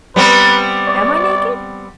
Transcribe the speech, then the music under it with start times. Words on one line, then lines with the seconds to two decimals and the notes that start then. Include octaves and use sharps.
'Am I naked?
0.16 G3 B3 C4 B4
0.88 D5